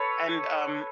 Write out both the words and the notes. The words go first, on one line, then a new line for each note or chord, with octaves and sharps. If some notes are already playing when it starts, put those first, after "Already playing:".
And, um,
Already playing: A4 B4 C#5